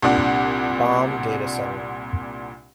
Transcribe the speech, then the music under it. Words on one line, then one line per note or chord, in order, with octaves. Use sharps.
Bomb Data Center.
C2 A#2 D4 F#5